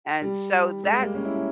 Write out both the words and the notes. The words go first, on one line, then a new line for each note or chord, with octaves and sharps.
And, so, that
G3
G#3
G3 A#3
A#3 C#4
C#4 E4
C#4 E4